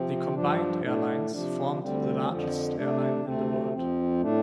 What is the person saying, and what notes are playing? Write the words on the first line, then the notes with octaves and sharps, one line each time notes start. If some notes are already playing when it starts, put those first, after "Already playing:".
The combined airlines formed the largest airline in the world.
Already playing: C3 F3 C4
G2 F3 D4
A2 A3 D4
C3 F3 D4
D2 D3 G3 C4
F2 D3 F3
C3 A3 D4
D2 C3 A3 C4
F2 F3 C4
A2 A3 D4